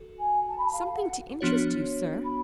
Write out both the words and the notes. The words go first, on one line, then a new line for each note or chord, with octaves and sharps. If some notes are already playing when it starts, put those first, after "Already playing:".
"Something to interest you, sir."
Already playing: F#4 A4
G#5
A5
B5
A5
F5
F#5
F3 B3 D4 F#4 C#5
B5